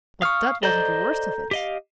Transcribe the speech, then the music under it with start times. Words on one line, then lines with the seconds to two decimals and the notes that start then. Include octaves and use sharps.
But that wasn't the worst of it!
0.22 F5 C#6 D#6 F6
0.63 A4 C5 D5 D#5 A#5 G6
1.51 G4 D#5 F5